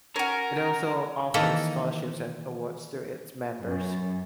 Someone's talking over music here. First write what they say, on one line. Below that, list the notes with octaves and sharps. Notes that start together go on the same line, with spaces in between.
It also offers scholarships and awards to its members.
C#4 F#4 A#4
D#3 E3 A#3 A4 E5 A#5
F#2